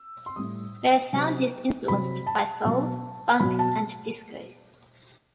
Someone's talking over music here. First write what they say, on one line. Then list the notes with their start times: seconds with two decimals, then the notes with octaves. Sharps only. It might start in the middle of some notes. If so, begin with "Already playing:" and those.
Their sound is influenced by soul, funk and disco.
Already playing: E6
0.26 C6
0.36 A2 G3 D#6
1.13 C3 F#3
1.88 C3 F#3 B5
2.27 A5
2.64 B2 F#3
3.40 B2 F#3 B5
3.59 A5